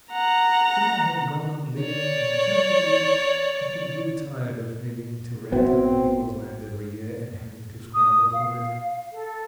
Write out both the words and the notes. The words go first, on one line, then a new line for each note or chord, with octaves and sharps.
He might have gone on living contentedly, but he grew tired of having to rent other people's land every year, and having to scramble for it.
F#5 A#5
C#5 D5
A1 B3 C4 F#4 C#5 E5 G5
D#6
F5
A4